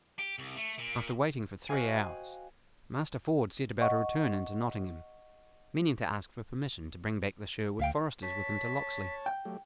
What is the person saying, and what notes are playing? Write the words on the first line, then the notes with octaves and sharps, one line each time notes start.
After waiting for three hours, Master Ford set about a return into Nottingham, meaning to ask for permission to bring back the Sherwood foresters with him to Locksley.
G4
C2
A3
A#2
F#4 C5 D#5 F5 G5 G#5
D#5 F#5 C#6
D2 E5 F5 G5
C#5 A5 B6
G5
F#3 A3 G4